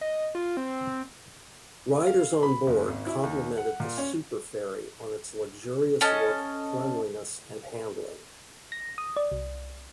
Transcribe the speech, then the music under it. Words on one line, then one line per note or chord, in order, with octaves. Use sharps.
Riders onboard complimented the "superferry" on its luxurious look, cleanliness, and handling.
D#5
F4
C4
F5
B5
F#1
G#1
E4
D#2
F#5
A#2
C#4
C#4 A4 D#5
A#6
D#6
D5
C2